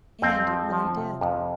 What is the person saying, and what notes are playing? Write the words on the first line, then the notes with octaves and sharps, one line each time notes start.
And it really did.
F2 C4
F3
F3
C3
F2